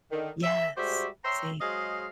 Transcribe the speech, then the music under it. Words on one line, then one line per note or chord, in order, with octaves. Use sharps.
Yes. Same.
D3 D#3
E5
G3 G#3 F#4 G4 C5 E5
C#5 E5 G5 A#5 C6
F#3 G#3 G#4 C5 D#5 F5